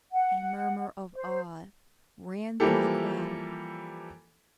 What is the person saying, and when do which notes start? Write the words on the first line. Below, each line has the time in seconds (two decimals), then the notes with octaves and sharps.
A murmur of awe ran through the crowd.
0.12 F#5
1.14 C5
2.60 E3 F3 G3 A#3 G4 A4